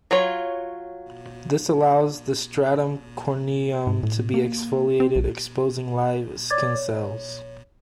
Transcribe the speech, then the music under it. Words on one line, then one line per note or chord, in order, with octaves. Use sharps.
This allows the stratum corneum to be exfoliated, exposing live skin cells.
F#3 F4 C#5
G#2
A2
A#3
C4
B1
C#5 D5 D6 G#6 A6
C#5